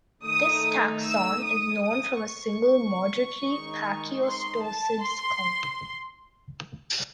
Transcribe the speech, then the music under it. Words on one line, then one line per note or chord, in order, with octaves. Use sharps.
This taxon is known from a single, moderately pachyostosed skull.
D#3 A3 D#4 D#6
E6
D#6
D#6
C#6
D#3 G#3 D#4
C6
A5
C6